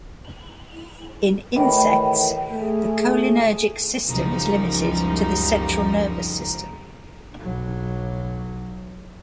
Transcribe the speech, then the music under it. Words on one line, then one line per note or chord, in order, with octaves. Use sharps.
In insects, the cholinergic system is limited to the central nervous system.
A2 D#3 E3 G4
A3 G#4
C#2 F#2 F3 G3 D#4
B1 F#3